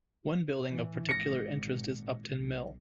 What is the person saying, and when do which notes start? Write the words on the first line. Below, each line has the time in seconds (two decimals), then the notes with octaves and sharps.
One building of particular interest is Upton Mill.
0.71 A2 E3
1.09 G#1 A#2 A#6 C#7
2.31 B1